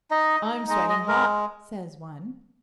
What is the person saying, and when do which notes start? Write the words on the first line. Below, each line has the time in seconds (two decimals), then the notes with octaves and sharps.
"I'm sweating hot," says one.
0.11 D#4 D#5
0.40 D#4
0.69 G#3 D#5
0.89 D#5
0.99 G#3
1.08 A#4